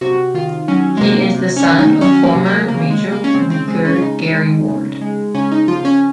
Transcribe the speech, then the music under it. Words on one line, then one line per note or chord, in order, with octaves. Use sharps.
He is the son of former major leaguer Gary Ward.
C3 F#4
D#3 F4
F#3 C#4
G#3
C3 A#3
C3
C#4
D#3
D#4
F#3 C#4
A#3
C3
A#3
C#3 A#3
G#3
G#3
A#3
C#4
C#3 C4
C4
G#3 C4
C#4
F4
C#3 D#4
G#3
C#3
G#3
C#3 C#4
D#4
F3 F4
C#4